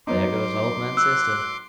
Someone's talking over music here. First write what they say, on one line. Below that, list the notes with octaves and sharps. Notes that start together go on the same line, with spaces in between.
"There goes old man System!"
F#3 B3 D#4 C6 D6
E6 F#6